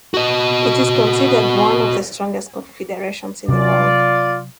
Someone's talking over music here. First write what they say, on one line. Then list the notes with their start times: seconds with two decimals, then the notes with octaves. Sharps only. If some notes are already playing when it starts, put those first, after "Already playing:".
It is considered one of the strongest confederations in the world.
0.14 F#4 D#5
3.49 C3 F#3 F4 D5